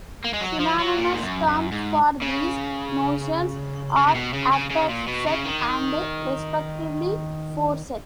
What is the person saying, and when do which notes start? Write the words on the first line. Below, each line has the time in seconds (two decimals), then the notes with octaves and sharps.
Synonymous terms for these notions are afterset and respectively foreset.
0.24 A#3
0.34 G#3
0.41 F#3
0.60 F3
0.79 F#3
0.97 A#2
1.13 G#2
1.23 F#2
1.48 F#2
1.72 G#2
2.22 C#3
3.97 C#3
4.08 C#3
4.14 B2
4.33 C#3
4.52 C#3
4.70 C#3
4.89 A#2
5.07 B2
5.27 C#3
5.45 D#3